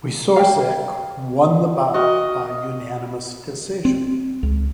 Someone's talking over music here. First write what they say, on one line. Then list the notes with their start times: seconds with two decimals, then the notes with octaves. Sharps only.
Wieczorek won the bout by unanimous decision.
0.36 F5 G5
1.94 F#4 A#4 D#5
3.85 C4
4.43 C#2